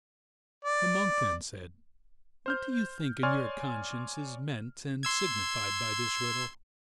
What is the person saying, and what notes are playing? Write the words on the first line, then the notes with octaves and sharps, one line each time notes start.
The monk then said, What do you think in your conscience is meant and signified by this riddle?
D5
C5 F6 G6
C#5 D5 G#5 C6 F6
C6 E6 G#6